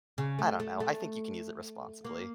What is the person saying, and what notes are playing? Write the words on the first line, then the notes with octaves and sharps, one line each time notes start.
I don't know. I think you can use it responsibly.
C#3
A3
A3
A3
A#3